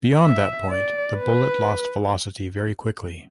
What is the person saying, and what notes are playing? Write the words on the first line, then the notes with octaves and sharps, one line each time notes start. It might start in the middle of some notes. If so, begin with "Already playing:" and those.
Beyond that point, the bullet lost velocity very quickly.
E5
D5
B4